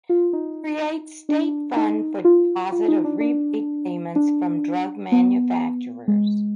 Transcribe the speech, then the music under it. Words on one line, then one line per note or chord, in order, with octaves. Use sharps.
Creates state fund for deposit of rebate payments from drug manufacturers.
F4
D#4
D4
D#4
F4
F4
D#4
D4
D4
D4
B3
G#3